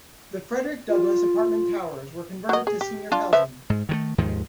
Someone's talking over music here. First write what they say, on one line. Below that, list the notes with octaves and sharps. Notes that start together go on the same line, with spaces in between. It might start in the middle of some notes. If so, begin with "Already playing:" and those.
The Frederick Douglass Apartment towers were converted to senior housing.
F4
F#3 D#5
G#4
G4
D4 F4 A5
F3 B4 E5
G#2
D#3 F3 A3
D#2 G#2 D#3 F3